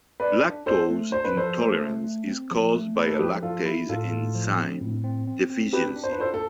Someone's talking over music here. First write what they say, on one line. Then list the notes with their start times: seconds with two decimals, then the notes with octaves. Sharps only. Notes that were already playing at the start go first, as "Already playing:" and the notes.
Lactose intolerance is caused by a lactase enzyme deficiency.
0.20 A4 B4 D5
0.44 D4
0.66 D4 A4 C5
0.89 A3
1.12 D4 C5
1.24 B4
1.35 F3 A4 C5
1.59 A3
1.81 A3
2.04 A3
2.28 C4
2.51 F3
2.74 A3
2.96 A3 B4
3.07 A4
3.19 F3 G4 B4
3.42 F3 F4 A4
3.65 E4
3.89 A2 F4 A4
4.12 A2
4.35 F3
4.58 C4
4.81 A2
5.04 C4
5.27 C4
5.50 C4
5.73 D4 G4 B4
5.96 D4
6.04 C5
6.12 B4
6.19 F4 A4 C5
6.34 A4